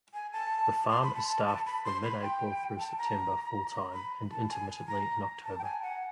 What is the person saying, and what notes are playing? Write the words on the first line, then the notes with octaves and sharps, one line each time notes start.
The farm is staffed from mid-April through September full-time, and intermittently in October.
G#5
A5
C6
B5
A5
A5
A5
B5
C6
B5
G5
A5
A#5
B5
A5
G#5
A#5
A5
G5
G#5
F#5